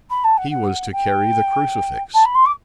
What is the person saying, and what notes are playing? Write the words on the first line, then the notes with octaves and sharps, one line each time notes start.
He was to carry the crucifix.
B5
A5
F#5
F#5
G5
A5
B5
C6
D6